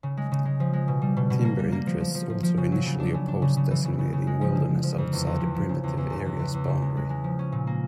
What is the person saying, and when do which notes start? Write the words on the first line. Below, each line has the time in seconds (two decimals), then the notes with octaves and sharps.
Timber interests also initially opposed designating wilderness outside the primitive area's boundary.
0.03 C#3
0.17 G#3
0.32 C#3
0.45 G#3
0.60 F3
0.73 G#3
0.88 B2
1.02 G3
1.17 B2
1.30 B2
1.45 A#3
1.59 G3
1.72 A#3
1.87 F3
2.00 F3
2.15 F3
2.30 F3
2.43 F3
2.57 C#3
2.72 F#3
2.86 C#3
3.00 D4
3.14 C#3
3.28 D4
3.42 C#3
3.57 C#3
3.71 E3
3.85 C#3
3.99 C#3
4.13 C#3
4.27 G#3
4.41 F3
4.55 D3
4.70 F3
4.84 F3
4.98 F2
5.13 E2
5.26 E2
5.40 F3
5.55 F3
5.69 C#3
5.84 E2
5.97 E2
6.11 C#3
6.25 E2
6.39 E3
6.54 E2
6.68 C#3
6.82 G#3
6.97 G#3
7.10 G#3
7.24 F3
7.39 C#4
7.52 A#2
7.67 A#3